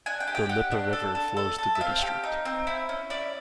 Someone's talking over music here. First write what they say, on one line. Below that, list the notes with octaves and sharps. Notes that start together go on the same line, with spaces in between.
The Lippe River flows through the district.
D4 G#5
G5
G4
G5
G4 F#5
D4
A4
A4
A4
A4
E5
C4 F5
G4
D#4
C4
E4
C#4
E4 D5